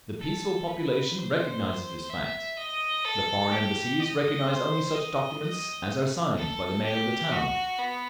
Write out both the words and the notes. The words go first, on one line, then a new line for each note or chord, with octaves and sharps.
The peaceful population recognises this fact; the foreign Embassies recognise only such documents as are signed by the Mayor of the town.
A4
B4
C5
E5
D#5
A4
G4
D#5
C5
D#5
D#5
A4
G4
F#4
B3